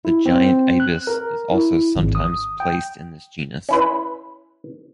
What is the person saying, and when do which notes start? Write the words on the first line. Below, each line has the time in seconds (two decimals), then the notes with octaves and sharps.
The giant ibis is also sometimes placed in this genus.
0.05 E4
0.26 C4
0.80 F#6
1.07 A#4
1.51 E4
1.95 G#1
2.15 D#6
2.60 G5
3.69 C#4 E4 B4